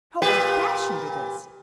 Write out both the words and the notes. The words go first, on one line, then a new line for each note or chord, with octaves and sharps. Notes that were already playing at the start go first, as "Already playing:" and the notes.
How old-fashioned it is!
A#2 G4 B4